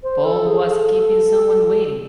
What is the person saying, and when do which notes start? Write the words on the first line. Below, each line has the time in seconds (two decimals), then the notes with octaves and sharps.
Paul was keeping someone waiting.
0.03 C5
0.25 A4
0.46 G#4
0.67 A4